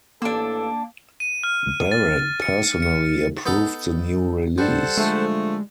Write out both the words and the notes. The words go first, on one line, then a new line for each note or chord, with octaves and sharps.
Barrett personally approved the new release.
A1 A#3 D4 A4 E6
D#7
F6
A6
C#7
C#7
B3 D#4 A4
G3 A4 C5 F#5
D3 F3 G#3 A3